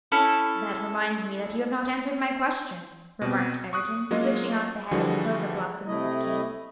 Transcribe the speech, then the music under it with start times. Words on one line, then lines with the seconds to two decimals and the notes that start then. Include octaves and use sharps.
"That reminds me that you have not answered my question," remarked Egerton, switching off the head of a clover-blossom with his cane.
0.12 C#4 E4 A4
3.22 B2 C4
3.73 C#6 D#6 F#6
4.11 F#3 G#3 A#3 C#4 F4 D#5
4.91 D3 E3 F3 G3 F#4 G#4
5.86 C3 A3 E4 D#5